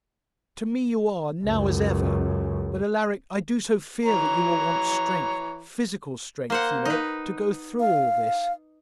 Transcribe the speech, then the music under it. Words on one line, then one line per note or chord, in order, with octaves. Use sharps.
'To me you are, now as ever; but, Alaric, I do so fear that you will want strength, physical strength, you know, to go through all this.
C#2 F#2
E3 C#5 A#5
A#3 C5 F#5
D#4 B4
F5